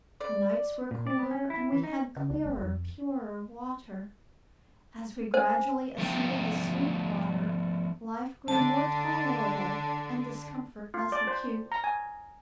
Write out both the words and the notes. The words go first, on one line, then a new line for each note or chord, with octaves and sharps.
The nights were cooler, and we had clearer, purer water. As we gradually ascended the Sweetwater, life grew more tolerable and discomfort less acute.
D5
A#2
D5
B3
C#4
E4
E3
D#4
C#3
C#2
F#1
F2
C5 G#5
F3 A3 B3 D4 G5
D3 D4 A5
F4
D5
C5
A#5
G#5